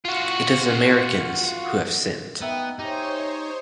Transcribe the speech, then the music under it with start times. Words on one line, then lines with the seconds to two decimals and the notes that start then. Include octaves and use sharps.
It is the Americans who have sinned.
0.05 F4 F#4
2.41 B3 D#4 E5 G5
2.79 D#4 G4 C5 C#5 G#5
3.18 D#5